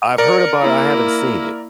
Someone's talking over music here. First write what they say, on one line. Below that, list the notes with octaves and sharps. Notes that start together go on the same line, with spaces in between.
I've heard about I haven't seen it.
A#4 D5 C#7
A#3 E4